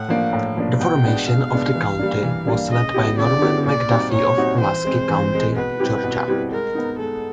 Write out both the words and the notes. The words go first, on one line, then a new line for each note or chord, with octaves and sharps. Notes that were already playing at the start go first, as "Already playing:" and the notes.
The formation of the county was led by Norman McDuffie of Pulaski County, Georgia.
Already playing: A2 F#5
F3 A#3 D4
A2
F3 A#3 D4
B2 G5
G#3 B3 D4
B2 F5
G#3 B3 D4
E3
G3 A#3 D4
E3
G3 A#3 D4
C#3 D#5
F#3 B3 E4 G4
C#3 D5
F#3 B3 E4 G4
A#2 D5
G3 C4 D#4 F#4
A#2 C#5
G3 C4 D#4 F#4
E3 C5
G#3 C4
E3
G#3 C4
B2 B4
G3 C4 E4 G4
B2
G3 C4 E4 G4
G#3 A#4
B3 D#4
G#3 A4